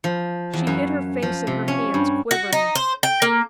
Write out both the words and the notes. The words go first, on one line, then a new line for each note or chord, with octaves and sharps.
She hid her face in her hands, quivering.
F3
E2
F#2
F3
C3
C#4
G2
F#4
D#4
C5
G5
A#3